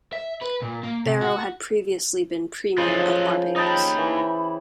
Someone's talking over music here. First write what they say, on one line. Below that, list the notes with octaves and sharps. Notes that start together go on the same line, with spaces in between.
Barrow had previously been Premier of Barbados.
E5
B4
A#2
A#3
C3
F#4
C#3 F3 F#3 A4 C5 D#5
D#4 G4 D#5 G5 A5 B5
E3